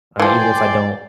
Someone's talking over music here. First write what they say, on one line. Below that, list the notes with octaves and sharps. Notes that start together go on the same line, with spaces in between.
uh, even if I don't,
E3 F3 D5 G5 G#5 C6